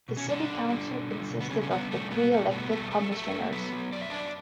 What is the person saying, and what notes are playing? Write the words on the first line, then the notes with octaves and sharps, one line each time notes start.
The City Council consisted of the three elected Commissioners.
B2
C#4
D3 G3 D4
B2
G3
B2
G3
B2
B3
C#3 G3 C#4
C#4
G3 B3
B2 A3
B2 B3
B2 A3
G3 B3
G3 A3 A4
G3 A3 A4
F#3 A3 A4
F#3
F#3 B3 B4
F#3
F#2 D5
E5
F#2 D4 D5